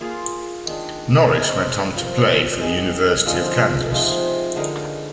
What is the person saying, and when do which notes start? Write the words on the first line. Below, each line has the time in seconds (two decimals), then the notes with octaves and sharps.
Norris went on to play for the University of Kansas.
0.01 A#3 F4 G#4
0.66 D#3 G#3 D4
1.30 G#3 C4 D#4 G4
1.95 F3 C4 G4 A#4
2.60 D#3 G#3 D#4 G#4
3.26 D3 F3 G#3 D#4
3.91 C3 F3 G#3 D#4
4.56 D3 G#3 D#4 A#4